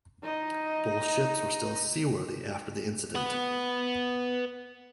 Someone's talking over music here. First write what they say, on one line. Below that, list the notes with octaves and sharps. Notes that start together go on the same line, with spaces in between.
Both ships were still seaworthy after the incident.
D#4 D#5
B4 F#5